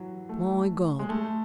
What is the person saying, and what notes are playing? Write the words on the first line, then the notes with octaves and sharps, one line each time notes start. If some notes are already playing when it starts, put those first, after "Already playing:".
My God!
Already playing: E3 F#3
A3
G#3
A3